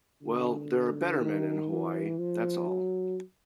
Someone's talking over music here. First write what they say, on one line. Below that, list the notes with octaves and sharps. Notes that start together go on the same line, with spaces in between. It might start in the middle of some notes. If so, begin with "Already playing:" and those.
Well, there are better men in Hawaii, that's all.
D3
D#3
E3
F3
F#3